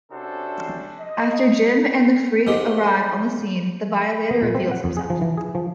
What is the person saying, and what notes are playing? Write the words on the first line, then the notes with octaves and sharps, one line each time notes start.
After Jim and the Freak arrive on the scene, the Violator reveals himself.
C3 C#4 D4 F#4 A4 C5
D#5
G#2 G#3 G4
B3
A#2
C4
F#5
F2
G#4
F3
E3
G#4
F3